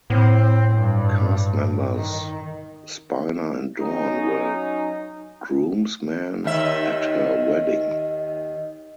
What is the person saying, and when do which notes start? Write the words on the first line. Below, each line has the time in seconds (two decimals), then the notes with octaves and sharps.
Cast members Spiner and Dorn were groomsmen at her wedding.
0.10 A2 C4
0.75 G2
1.95 D#3
3.79 F#3 C#4 D#4
6.44 D#2 D#3 E5